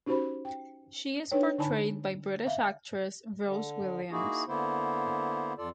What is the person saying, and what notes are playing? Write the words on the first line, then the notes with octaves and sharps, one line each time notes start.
She is portrayed by British actress Rose Williams.
C#4 D#4 F#4 G4 C5 B5
G5
D4 D#4 B4 C#5 G5
D3 D#4 D5 G#5 A5 B5
E5 F5
D3
A#3 D#4 E4 F#4 G#4
D3 A#3 B3 E4 C5
F2 F4 A4 D5